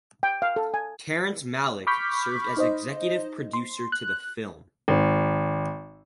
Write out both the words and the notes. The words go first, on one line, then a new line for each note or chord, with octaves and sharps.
Terrence Malick served as executive producer to the film.
G5
F5
A4
G#5
B5 C#6 D6 F6 G6 B6
D#4 C5 D#5
C6
F#6
G#1